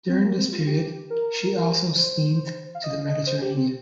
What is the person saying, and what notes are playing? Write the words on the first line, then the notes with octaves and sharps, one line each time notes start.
During this period she also steamed to the Mediterranean.
C4
A#3
C4
F4
G4
A#4
C5
F5
D#5
D#5
C5
G4
C4